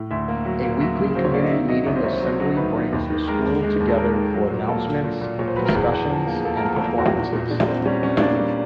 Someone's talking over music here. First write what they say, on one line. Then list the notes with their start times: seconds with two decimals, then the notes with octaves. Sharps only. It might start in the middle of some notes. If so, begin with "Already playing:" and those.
A weekly community meeting assembly brings the school together for announcements, discussions and performances.
Already playing: A2
0.11 D2 E5
0.28 A#3
0.45 F#3
0.63 A#3
0.81 F#3 E5
0.99 C#3
1.16 F#3 C5
1.25 C#5
1.33 A#3 D5
1.42 D#5
1.51 D#3 E5
1.68 F#3 D#5
1.86 C2 C#5
1.96 C5
2.04 C2 C#5
2.13 C5
2.22 F#3
2.40 F#3
2.57 D#3 B4
2.75 D#3
2.93 D#2
3.10 D#3
3.28 G#3 A#4
3.46 D#2
3.63 G#3
3.80 D#2
3.88 A4
3.98 G#3 A#4
4.16 D#3
4.34 F#3
4.50 A#2
4.69 A#3 A4
4.86 F#3
5.04 A#2
5.21 A#2
5.39 A#2 C#5
5.48 C5
5.56 F#3 B4
5.65 A#4
5.75 E2 G#4
5.92 E2
6.10 F3
6.27 A#3
6.45 A#3 A4
6.57 A#4
6.62 F3
6.68 A4
6.80 E2
6.98 E2 F#4
7.16 A#2
7.33 A#2
7.50 A#2 D4
7.68 A#2 C4
7.85 G3 C#4
8.03 G3 C#4
8.21 A#3 D4
8.38 G3